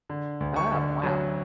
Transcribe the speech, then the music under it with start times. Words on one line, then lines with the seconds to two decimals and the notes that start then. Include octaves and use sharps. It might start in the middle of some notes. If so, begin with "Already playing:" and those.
Oh, wow.
0.09 D3
0.40 D2
0.56 C#6
0.72 D3
1.03 F#3